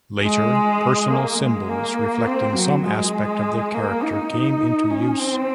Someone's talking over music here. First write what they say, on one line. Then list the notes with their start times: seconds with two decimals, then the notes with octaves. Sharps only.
Later, personal symbols reflecting some aspect of their character came into use.
0.23 G#3
1.10 A#3
1.40 G#3
1.69 A#3
2.27 C4
2.57 F#3
2.86 G#3
3.74 A#3
4.03 D#4
4.90 C#4
5.20 C4